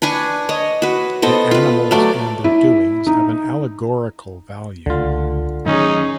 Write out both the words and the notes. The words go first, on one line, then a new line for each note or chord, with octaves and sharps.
The animals and their doings have an allegorical value.
D4 B4 G#5 C#6
C#5 D#5
F#4 B4
B3 A4 C5 D#5
F4 B4
F#3 A3 D5
E4
D#4
C#2 D3 A3 F4
D#3 F#3 A3 C#4 D#4 G#4